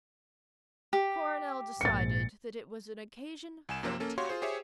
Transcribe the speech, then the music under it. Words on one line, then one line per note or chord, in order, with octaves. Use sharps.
Coronel decided that it was an occasion for tact.
G4
A#1 G#2 A6 C#7
C2 G#5 E7
F#2 C3 F3 A#3 C4
A#3 C#4 A4
F#4 G4 C#5 F5 C6 C#6
F4 G#4 C5
G4 G#4 C5 C#5 E5 G5